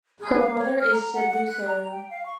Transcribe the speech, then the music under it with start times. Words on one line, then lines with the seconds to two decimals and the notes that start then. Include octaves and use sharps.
Her brother is Sid Lucero.
0.20 G#4
0.38 F5
0.58 C#5
0.79 F6
0.93 A#5
1.14 F#5
1.30 F#5
1.47 F#6
1.67 A#5
1.91 G5
2.11 F5
2.25 C#6